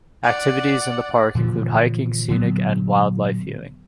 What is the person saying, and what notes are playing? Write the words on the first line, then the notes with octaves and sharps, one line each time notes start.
Activities in the park include hiking, scenic and wildlife viewing.
D5 F#5
A#2 D3 E3 F3
A#2 D3 F#3 B3